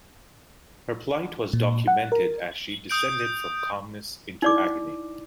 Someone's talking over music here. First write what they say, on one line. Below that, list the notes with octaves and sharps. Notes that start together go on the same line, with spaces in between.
Her plight was documented as she descended from calmness into agony.
A#2
F#5
A#4
D#6 G6 D7
D#4 E4 D5 D6